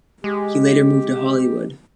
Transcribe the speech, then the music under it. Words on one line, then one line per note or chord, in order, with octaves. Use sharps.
He later moved to Hollywood.
G#3 G4